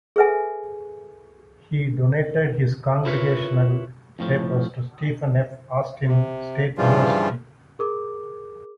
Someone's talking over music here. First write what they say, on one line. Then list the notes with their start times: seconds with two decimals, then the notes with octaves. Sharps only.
He donated his congressional papers to Stephen F. Austin State University.
0.16 G#4 A4 B4 E5 G#5
3.05 E4 F4 A#4 B4 C#5
4.19 F2 A2 F3
6.07 C3
6.78 G2 C#3 E3 F3 G3 F4
7.79 G#4 A#4 D6